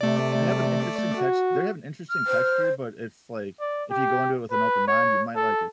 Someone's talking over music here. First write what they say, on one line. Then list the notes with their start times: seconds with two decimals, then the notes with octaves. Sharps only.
they have an interesting text they have an interesting texture, but it's like, if you go into it with an open mind, you might like it.
0.01 C3 A3 D5
1.16 F#4
2.10 F6
2.27 C5
3.60 D5
3.90 G4
4.51 B4
4.87 C#5
5.36 A4